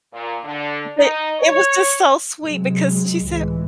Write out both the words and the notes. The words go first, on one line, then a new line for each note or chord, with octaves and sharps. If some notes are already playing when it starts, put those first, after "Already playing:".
but it was just so sweet, because she said,
A#2
D3
D#4
C#5
C3 F#3 G#3
C#2 A2 E3 G#3